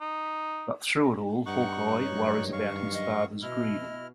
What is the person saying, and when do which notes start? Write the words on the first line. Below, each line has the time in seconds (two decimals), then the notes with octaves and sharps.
But through it all Hawkeye worries about his father's grieving.
0.01 D#4
1.46 G2 D#4 F#5 C#6 F#6
2.03 F#2 D#3 C#5
2.53 F5 C#6
2.92 D#5
3.43 B2 E4 D#5 F6